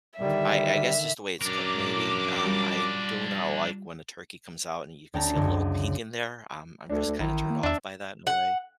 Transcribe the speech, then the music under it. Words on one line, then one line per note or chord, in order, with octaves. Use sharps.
I I guess just the way it's cooked maybe. Um, I do not like when the turkey comes out and you could see a little pink in there. Um, I'm just kinda turned off by that in a way.
D3 D#3 G3 E5
F#2 D4 A#4 D6
G3 F4
D2 C#4 G5 A5 A#5 D6
C#2 F#2 D3 F#4
D2 D4 A4
D2
A1 D#3 E4
A#3
E2 D4 E5
F#5